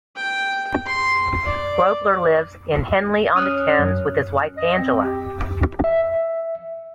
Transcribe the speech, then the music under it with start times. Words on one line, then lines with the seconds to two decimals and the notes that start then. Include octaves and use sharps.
Grobler lives in Henley-on-Thames with his wife Angela.
0.16 G5
0.86 C6
1.45 D5
3.36 C#4 D#6 F6 F#6
3.79 F#2
4.57 D#5
4.77 C4
5.03 G4
5.84 E5